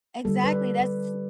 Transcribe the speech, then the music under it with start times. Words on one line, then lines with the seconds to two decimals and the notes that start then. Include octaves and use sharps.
Exactly, that's
0.25 D3 G3 A4
0.44 B4
0.52 D5
0.79 B4